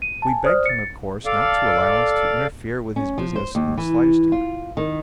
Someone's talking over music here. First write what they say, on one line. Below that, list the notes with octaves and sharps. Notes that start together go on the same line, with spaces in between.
We, begged him, of course, not to allow us to interfere with his business in the slightest degree.
D#7
G#5 A5
C5 D5 D#6 F6
A6 C#7
A4 D5 F5
C#4
F3
C5
D#2
E3
F4
D#3